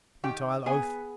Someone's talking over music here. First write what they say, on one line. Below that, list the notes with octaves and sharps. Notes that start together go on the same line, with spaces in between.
Futile oath!
D#3 G4 G5
B3 G#4 G#5